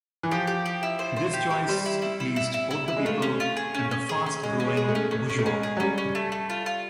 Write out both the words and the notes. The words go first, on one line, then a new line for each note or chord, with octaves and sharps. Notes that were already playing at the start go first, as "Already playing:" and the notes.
This choice pleased both the people and the fast-growing bourgeoisie.
E3
F3 G4
G4
G4
E4
C5
C5
G4
G4
G3 C5
E4
E4
E4
E4
E4
E4
E4
G#3
A3 F4
C#4
F4
G#4
C#4
C#4
G#4
C#4
G#3 C#4
C#4
G#3
G#4
G#3
A3
C#4
A3 C#4
C#4
A3
G#3 C#4
G#4
F#3
G3 C#4
C#4
A3
A3
F4
F4